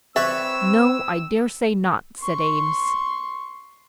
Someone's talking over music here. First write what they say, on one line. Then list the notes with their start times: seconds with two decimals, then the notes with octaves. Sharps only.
"No; I dare say not," said Eames.
0.16 C4 B4 C#5 D5 E5 B5 E6
2.21 C6 C#6